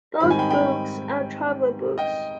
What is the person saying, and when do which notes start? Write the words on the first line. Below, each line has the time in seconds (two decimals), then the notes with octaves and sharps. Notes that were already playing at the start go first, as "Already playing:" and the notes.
Both books are travel books.
0.20 G#2 D#3 G3 C4 D#4 B5
0.30 G#5
0.39 G5 B5
0.50 G5 B5
1.98 D#5 G5